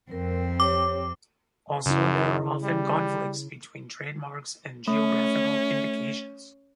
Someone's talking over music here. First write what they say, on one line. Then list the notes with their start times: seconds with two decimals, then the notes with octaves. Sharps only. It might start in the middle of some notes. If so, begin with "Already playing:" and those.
Also, there are often conflicts between trademarks and geographical indications.
0.11 F2 C4 A#4
0.60 G4 C#5 D6
1.86 F#2 C#3 E4
2.63 G3
4.88 A3 C#4